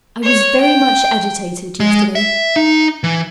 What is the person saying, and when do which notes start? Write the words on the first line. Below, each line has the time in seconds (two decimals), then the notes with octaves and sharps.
I was very much agitated yesterday.
0.23 C#5
0.61 G5
1.80 G#3
2.15 E5
2.56 D#4
3.04 E3